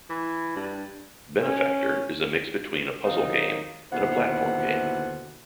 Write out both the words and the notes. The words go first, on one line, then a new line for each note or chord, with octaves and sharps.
"Benefactor" is a mix between a puzzle game and a platform game.
E3
G2
C#4
D#3 F#3 C4 D#4 A#4 F5
D#2 B2 D3 E4 C5 F#5